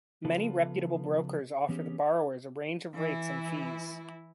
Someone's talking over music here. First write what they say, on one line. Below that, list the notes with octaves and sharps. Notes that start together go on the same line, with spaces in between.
Many reputable brokers offer the borrowers a range of rates and fees.
C#3 F3 B3 F4 A4 B4
E3 B3 C#4 G4 G#4
E3 E4